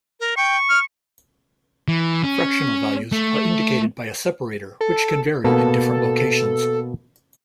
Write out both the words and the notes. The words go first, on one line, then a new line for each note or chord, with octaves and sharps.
Fractional values are indicated by a separator, which can vary in different locations.
A#4
G5 C#6
F6
E3
C#4
A3
A4
B2 A#3 B3 A4